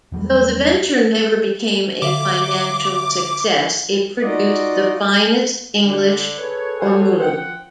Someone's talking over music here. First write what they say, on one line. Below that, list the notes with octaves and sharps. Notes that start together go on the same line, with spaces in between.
Though the venture never became a financial success, it produced the finest English ormolu.
E2 F#3 G3
D3 E5 F5 D6
D#4 F4 F#4 D5 D#5
D3
G#4 A4 B4 C#5
F#4 A4 C5 C#5 F#5 G#5
F3 F#5 G5